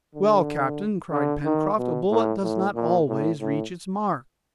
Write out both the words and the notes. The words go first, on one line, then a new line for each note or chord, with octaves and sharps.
"Well, captain," cried Pencroft, "a bullet does not always reach its mark."
D3
D3
D#3
B2
A2
A2
A#2
A2
A2